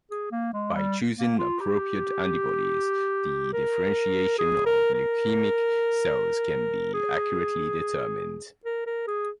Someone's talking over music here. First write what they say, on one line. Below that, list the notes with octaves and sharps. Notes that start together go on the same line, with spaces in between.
By choosing appropriate antibodies, the differentiation of leukemic cells can be accurately determined.
G#4
A#3
G#3
G3
A#3
F4
G4
A#4
G#4
A#4
A#4
G#4
A#4
A#4
G#4